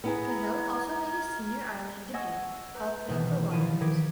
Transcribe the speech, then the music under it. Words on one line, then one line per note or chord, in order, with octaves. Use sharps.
Cahill also made his senior Ireland debut while playing for Wanderers.
B3 E4 G#4 A#5 F6 G#6
D#5 F#5 G#5 C#6 E6 G#6
B4 A#5 D6 G6
C2 B2 D#3 E3
D#3 F3 E4 F4 D#7
D#3 E3 D6 G#6 B6 D7